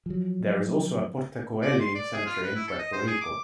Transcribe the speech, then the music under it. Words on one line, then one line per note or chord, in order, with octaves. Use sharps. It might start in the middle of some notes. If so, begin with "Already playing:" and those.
There is also a Porta Coeli cemetery in Puerto Rico.
F3 F#3
D5
C6
D5
G#4
F4
B4
E4
A4
D#5
C5
G#4
D6